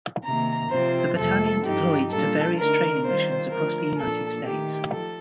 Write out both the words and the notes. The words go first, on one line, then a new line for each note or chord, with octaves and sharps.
The battalion deployed to various training missions across the United States.
C3 D#3 A#3 A#5
C3 F3 C4 F4 C5
F2 C3 F3 A#3 A4
G2 F3 C4 D#4 G4
A#2 G3 D4 F4 A4
D3 A3 D#4 A#4
D#3 G3 C4 F4 C5
D3 F3 A3 A#4
A#2 F3 A#3 D4 A4
D#3 A3 D#4 G4
F3 A4